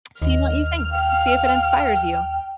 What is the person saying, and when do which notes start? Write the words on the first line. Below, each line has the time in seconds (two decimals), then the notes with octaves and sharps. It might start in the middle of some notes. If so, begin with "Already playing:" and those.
seeing what you think. See if it inspires you.
0.22 D#2 D#5 F6
0.92 F5 G5